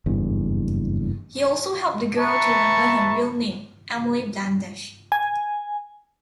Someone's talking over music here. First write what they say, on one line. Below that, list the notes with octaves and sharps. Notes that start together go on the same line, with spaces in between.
He also helped the girl to remember her real name: Emily Blandish.
F#1 E2 G2
B4 E5 A5 A#5 C#6
G#5